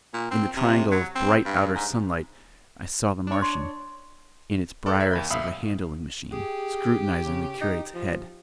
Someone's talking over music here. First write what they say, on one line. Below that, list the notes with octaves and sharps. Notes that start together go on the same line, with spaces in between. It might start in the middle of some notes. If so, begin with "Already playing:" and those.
In the triangle of bright outer sunlight I saw the Martian, in its Briareus of a handling-machine, scrutinizing the curate's head.
A#2
C4
C3
F#3
C4
G2
G#2
D4 C#5
C6
A4 D5
A#4 E5
D#2 B5 G6
B1 E5 F5 B5 D#6
G4 G#4
C#3
D#4
F3